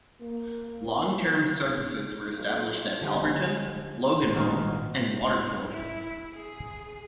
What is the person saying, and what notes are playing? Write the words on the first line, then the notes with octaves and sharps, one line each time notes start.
Long-term services were established at Alberton, Loganholme and Waterford.
A#3
B1
D3 F3 G3 G#3
G#1 A#2 D#3 D#4 F#4 F5
G#2
E4
G#4